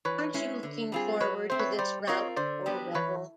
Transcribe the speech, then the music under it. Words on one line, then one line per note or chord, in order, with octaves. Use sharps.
Aren't you looking forward to this rout or revel?
E3 B4 C#5
G#3 C#4 E4
D3
G3 C4 F4 G#4
F#3 B4 C#5
A3 C4 C5
B4 C#5
G3 C5 D5
C4 F4 A#4 C#5 D#5
D3 C5 D5
F#3 B3 D4 G4
E3 B4 C#5